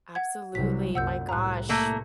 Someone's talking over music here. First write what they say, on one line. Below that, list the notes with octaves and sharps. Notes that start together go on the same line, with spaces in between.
Absolutely, my gosh.
F#5 G#6
C2 F#3 B6
C2 F#2 A#2 F#5 E6 G6
C2 A2 A#5 F#6
A3 A#3